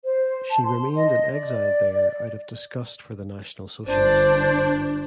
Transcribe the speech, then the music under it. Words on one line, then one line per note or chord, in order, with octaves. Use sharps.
She remained in exile there out of disgust for the National Socialists.
C5
A5
C6
D#5
D5
G1 D4 C5